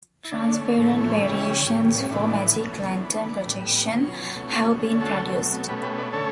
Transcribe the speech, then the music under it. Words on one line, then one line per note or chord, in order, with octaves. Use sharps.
Transparent variations for magic lantern projection have been produced.
E4
D3 A3 C#4 D4
A2 E3 A3 C#4
C#3 G3 C#4 E4
A2 G3 C#4
A2 E3 B3 D4
B2 A3 C#4
E3 B3 D4
A2 G3 B3
B2 F#3 C#4
B2 A3 C#4
D3 A3 C#4
F#4 A4
B2 F#3 A3
B2 A3 C#4 G4 B4
G4 B4
B4 D5
D3 A3 C#4 A4 C#5